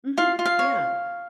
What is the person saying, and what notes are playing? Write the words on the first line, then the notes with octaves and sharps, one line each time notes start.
Mhm. Yeah.
F4 F5
F4
F5
C#5